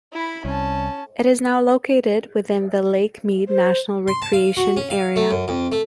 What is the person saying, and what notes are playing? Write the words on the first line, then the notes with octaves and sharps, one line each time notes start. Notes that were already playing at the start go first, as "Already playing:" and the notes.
It is now located within the Lake Mead National Recreation Area.
E4 B5
C2 C#4 A5
C5
C6
A5
F5
F#4
C#4
F5
A3
F#2
F2
A3